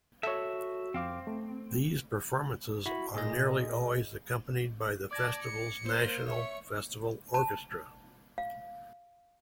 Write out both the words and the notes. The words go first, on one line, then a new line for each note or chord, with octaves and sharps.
These performances are nearly always accompanied by the festival's "National Festival Orchestra".
F#4 A4 C#5 E5
F2 C4 F5 D6
A3
E4 F#4 B5
A#2 G#4 D#5
D5 A5 D6 G#6 A#6
C#7
A#3 A#4 C5
C#5 E5 C#6
A5
F5